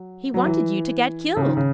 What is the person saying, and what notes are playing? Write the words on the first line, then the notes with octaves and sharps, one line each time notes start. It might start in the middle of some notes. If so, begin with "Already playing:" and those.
He wanted you to get killed.
Already playing: F#3
F#3
E3
C#3
D#3
C#3